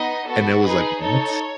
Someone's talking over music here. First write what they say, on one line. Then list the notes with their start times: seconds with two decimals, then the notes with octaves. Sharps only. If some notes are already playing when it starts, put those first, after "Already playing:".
And it was like, "What?"
Already playing: B3 D#4 D#5
0.27 B3 F#4 A4
0.63 D#4 G#4 B4
1.01 D#4 A4 C#5